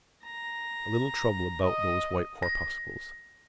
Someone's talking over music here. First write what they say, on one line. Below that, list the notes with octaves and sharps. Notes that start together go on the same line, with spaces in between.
A little trouble about those white corpuscles.
A#5
D#5
A#6